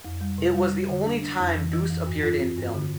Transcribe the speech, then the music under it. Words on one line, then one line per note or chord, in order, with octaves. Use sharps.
It was the only time Duse appeared in film.
F2
G3
C3
G3
G3
D3
D4
D4
F2
E3
E3
F2
G2
F4
C4
G2
D3